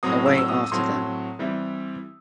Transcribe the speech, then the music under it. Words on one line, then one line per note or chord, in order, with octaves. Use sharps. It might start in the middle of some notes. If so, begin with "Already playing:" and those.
Away after them!
A2 F#3 C4 D#6
E6
E6
D#6
D#6
A2 F#3 C4 C6
E3 G3 C4 E4